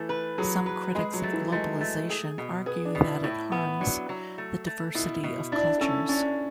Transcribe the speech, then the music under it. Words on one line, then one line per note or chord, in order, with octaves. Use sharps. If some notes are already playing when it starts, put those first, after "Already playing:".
Some critics of globalization argue that it harms the diversity of cultures.
Already playing: E3 A3
B4
F#3 G#4
B4
G#3 G#4
F#3
A3
E3
G#3 A3
A3
G#4
B2
B3 G#4
D4
B2
E4
A2 E4
B3
F#3 D4
F#3
A3
A3
B2 E4
B2
D4 E4
C#4 A4
C#4 D4